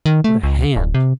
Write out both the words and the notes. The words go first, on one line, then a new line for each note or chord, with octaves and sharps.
What a hand!
D#3
A3
C#2
D1
C3